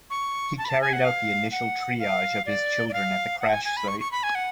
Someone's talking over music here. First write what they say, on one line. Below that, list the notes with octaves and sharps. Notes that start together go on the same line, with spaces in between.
He carried out the initial triage of his children at the crash site.
C#6
A5
B5
A5
G#5
F#5
F5
F#5
F5
D5
D5
F5
F#5
G#5
G#5
B5
C#6
C#6
B5
G#5
F#5